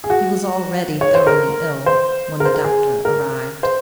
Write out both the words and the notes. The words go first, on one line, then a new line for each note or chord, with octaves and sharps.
He was already thoroughly ill when the doctor arrived.
G#4
F#4
C#5
C5
A#4
C5
A#4
C5
A#4
G#4
A#4
C5